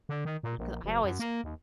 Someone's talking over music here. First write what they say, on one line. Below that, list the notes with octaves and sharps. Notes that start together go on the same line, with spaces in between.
because I always
D3
D#3
A#2
A#1
F#1
F#2
A#3
D#2